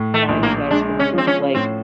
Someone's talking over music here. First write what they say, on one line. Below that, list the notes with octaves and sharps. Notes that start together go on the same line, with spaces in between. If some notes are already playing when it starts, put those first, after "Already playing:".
Now you guys can, like,
Already playing: A2
A3
A#1
A#3
G#3 D4
C#4
F3 C4
C#4
A2 C4